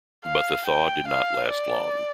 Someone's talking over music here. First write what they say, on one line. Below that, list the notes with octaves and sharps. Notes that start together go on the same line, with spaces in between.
But the thaw did not last long.
F5
G5
F5
D5